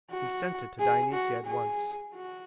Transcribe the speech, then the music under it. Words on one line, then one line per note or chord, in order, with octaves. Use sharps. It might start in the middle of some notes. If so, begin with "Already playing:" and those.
He sent it to Dionysia at once.
F#4
G#4
F#4
G#4
F#4